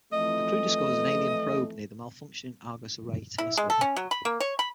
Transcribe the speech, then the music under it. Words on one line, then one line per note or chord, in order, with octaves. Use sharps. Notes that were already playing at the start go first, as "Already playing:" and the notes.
The crew discovers an alien probe near the malfunctioning Argus Array telescope.
F2 E3 A3 D#5
E4
G#3
A4
C#4
F#3
B5
A#3
C#5
B5